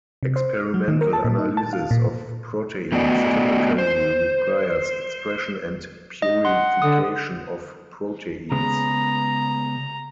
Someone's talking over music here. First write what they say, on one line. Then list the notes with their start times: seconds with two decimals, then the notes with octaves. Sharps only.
Experimental analysis of proteins typically requires expression and purification of proteins.
0.23 C3
0.36 C5
0.56 F6
0.74 F#3
0.88 D#3
1.01 A#4
1.13 A5
1.25 A#2
1.38 D#4
1.57 A5
1.73 F5
1.91 A#2
2.92 A3 B3 F#4 D5 D#5
3.78 C5
6.22 D#5
6.45 F#5 C6
6.82 D3 D#6
8.52 C#3 G#3 B3 A#5